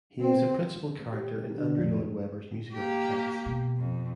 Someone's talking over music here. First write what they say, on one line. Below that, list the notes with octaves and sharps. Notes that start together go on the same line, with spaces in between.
He is a principal character in Andrew Lloyd Webber's musical "Cats".
C4
G4
D3
F1
A#3 G4
B2
F2